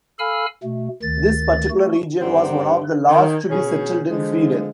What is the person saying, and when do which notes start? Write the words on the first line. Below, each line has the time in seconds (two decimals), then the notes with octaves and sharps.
This particular region was one of the last to be settled in Sweden.
0.19 A4 F5 G#5 B5 E6 F6
0.63 B2 A3
1.02 D2 D#3 A6
1.70 A3 F#4
2.21 G2 D#3 C4 D4 G4 F#5
3.09 D#3
3.50 B2 C#4 G#4
4.10 D3 F3 G#3